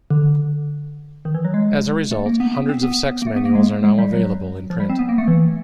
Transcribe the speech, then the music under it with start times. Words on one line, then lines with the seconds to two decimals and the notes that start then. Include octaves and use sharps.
As a result, hundreds of sex manuals are now available in print.
0.11 D3
1.25 D#3
1.34 E3
1.45 F#3
1.54 G#3
2.11 A3
2.26 A#3
2.40 B3
2.55 B3
2.69 C4
2.83 B3
3.22 A#3
3.27 A3
3.36 B3
3.45 A#3
3.55 G#3
3.84 G#3
3.98 G3
4.13 F#3
4.70 F3
4.80 G3
4.90 C4
4.99 B3
5.09 A#3
5.18 A3
5.28 E3